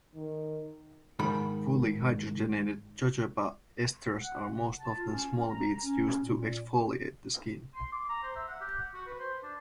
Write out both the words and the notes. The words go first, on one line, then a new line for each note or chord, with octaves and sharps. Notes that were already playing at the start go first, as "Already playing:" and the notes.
Fully hydrogenated jojoba esters are most often small beads used to exfoliate the skin.
D#3
G#2 D#3 B5
F#5
C3
A5
F4
C#4
C#4
A#5
C#4
A#2
C6
D6
A#5
C5
E5
F#5
G4
F#5
F#4
B4
C5
D4